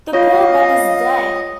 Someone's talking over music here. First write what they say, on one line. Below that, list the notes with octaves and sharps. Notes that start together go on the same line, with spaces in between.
The poor bugger's dead!
F4 C#5 D#5 F5